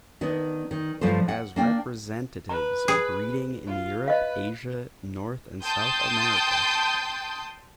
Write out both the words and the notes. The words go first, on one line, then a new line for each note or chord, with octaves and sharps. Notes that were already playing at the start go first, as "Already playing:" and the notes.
It has representatives breeding in Europe, Asia, North, and South America.
D#3 B3 D4
D#3
G2 F3 A3 C5
F#5
A#3 D4 G5
B4 A#5
G#4
F4
B4 D#5 F5
G5 A5 C6 D#6 G6